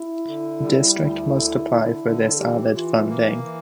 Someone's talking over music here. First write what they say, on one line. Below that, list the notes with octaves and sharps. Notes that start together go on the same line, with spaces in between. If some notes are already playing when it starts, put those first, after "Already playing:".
The District must apply for this added funding.
Already playing: E4
D3
G3
D2
D3
D3
D3
A4
E3 G4
E3 F4
A#3
E3